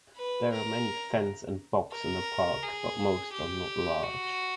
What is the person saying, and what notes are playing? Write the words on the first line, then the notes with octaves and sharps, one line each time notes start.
There are many fens and bogs in the park, but most are not large.
B4
A#4
A#4
G#4
G4
F#4